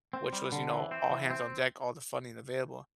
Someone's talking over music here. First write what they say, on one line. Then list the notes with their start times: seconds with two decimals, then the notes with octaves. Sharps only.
which was, you know, all hands on deck, all the funding available
0.13 C4
0.33 G3
0.52 D3
0.72 E3
0.91 C4
1.11 E3
1.30 C4